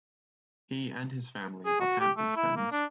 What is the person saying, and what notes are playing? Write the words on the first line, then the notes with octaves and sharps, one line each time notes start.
He and his family are Panthers fans.
G#4
F#4
G4
A3
E4
A#3
D4